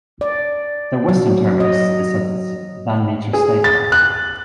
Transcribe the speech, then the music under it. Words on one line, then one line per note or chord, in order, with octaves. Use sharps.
The western terminus is at Van Meter State Park.
D5
F#3
D#5
G#4
A6
F#6